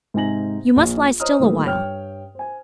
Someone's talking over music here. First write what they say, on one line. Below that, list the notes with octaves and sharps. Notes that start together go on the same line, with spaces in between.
You must lie still awhile.
G#2 C3 D#4 G#5 A#6 F#7
A#1
C5 C#5 D#5 A#5 D#6 F6
A#2 D#3 G3 A3 B3
G2 C#5 G5 F6
C5 G#5